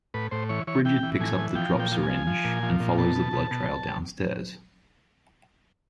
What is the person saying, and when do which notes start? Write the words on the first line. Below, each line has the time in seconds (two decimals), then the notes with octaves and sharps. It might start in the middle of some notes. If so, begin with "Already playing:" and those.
Brigitte picks up the dropped syringe and follows the blood trail downstairs.
0.14 A2 B4
0.31 A2 C5
0.49 E3 C#5
0.67 E3 C#5
0.85 E3 G5
1.03 E3
1.20 A2 G#5
1.39 E3
1.55 F3 G5
1.74 A#2
1.80 G5
1.92 F3
2.03 G#5
2.09 F3
2.27 F3
2.44 A#2
2.63 F3
2.80 A#2
2.98 B2 A5
3.15 B2
3.33 B2
3.51 B2